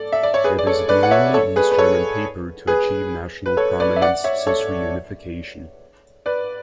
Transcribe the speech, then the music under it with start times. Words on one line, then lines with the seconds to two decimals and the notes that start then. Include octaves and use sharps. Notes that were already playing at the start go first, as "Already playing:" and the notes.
It is the only East German paper to achieve national prominence since reunification.
Already playing: A4 D5
0.12 E5
0.23 D5
0.34 C#5
0.44 G#4 B4
0.59 D5
0.67 A4 C#5
0.89 B4 D5
1.03 F#5
1.11 C#5 E5
1.34 A4 C#5
1.56 G#4 B4
1.71 B4
1.78 A4 C#5
2.67 G#4 B4
3.46 B4
3.57 A4 C#5
3.80 B4 D5
3.96 E5
4.02 D5 F#5
4.24 C#5 E5
4.47 A4 C#5
6.26 B4 D5